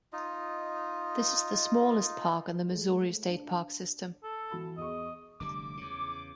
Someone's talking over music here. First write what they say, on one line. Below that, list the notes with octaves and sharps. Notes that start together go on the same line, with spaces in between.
This is the smallest park in the Missouri state park system.
D#4 F4 D#5
G#3 A3
D4
A4
E3 F#4 B5
E2 G#4 D#5 C#6
F1 D3 G3 D6
E2 C#3